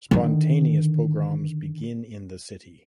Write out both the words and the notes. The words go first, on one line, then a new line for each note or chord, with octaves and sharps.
Spontaneous pogroms begin in the city.
D3 D#3